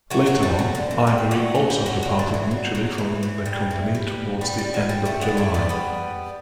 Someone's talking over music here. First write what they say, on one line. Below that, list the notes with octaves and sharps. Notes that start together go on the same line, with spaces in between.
Later on, Ivory also departed mutually from the company towards the end of July.
F#3 A3
F#3 A3
G3
F#3
D3
E3
G3
F#3 A3
F#3 A3
G3
F#3
F#3
D3
E3
F#3
F#3
E3
E3
G3
E3
G3
G3 B3
G3
F#3
G3
A3 C4
B3 D4
C4 E4
B3 D4
G3 B3